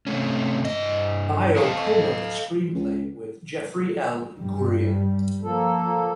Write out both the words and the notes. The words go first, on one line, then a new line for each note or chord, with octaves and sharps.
Baio co-wrote the screenplay with Jeffrey L. Gurian.
C3 A3 C#4
G2 D#5
A4 D#5 F5 A5
C#2
G2 G3
F3 A#3 A4